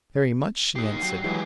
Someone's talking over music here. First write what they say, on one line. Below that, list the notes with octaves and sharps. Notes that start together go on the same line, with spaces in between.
"Very much," she answered.
D#4 G4 C7
F#3 G5
E3 F#3 G#3 G4 G#4